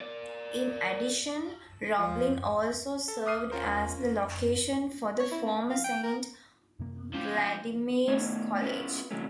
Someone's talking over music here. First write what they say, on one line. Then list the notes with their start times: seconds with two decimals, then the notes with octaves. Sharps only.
In addition, Roblin also served as the location for the former Saint Vladimir's College.
0.01 A#4 D5
1.98 F3
3.08 A4
3.26 D6 D#6 F6 C7 D#7
3.51 C#4 F4 A#4 C5
5.19 C#5
5.31 E4
5.45 A#3
5.70 F5
5.84 G5
6.03 A#4
6.80 F#2 C3 A#3
7.14 F3 C#4 G4
8.08 A3 B3 D#4 C#5 D5
8.61 B3 C#4 E4 F4 B4
9.11 C3 E3 F#3 G3 A3 C#4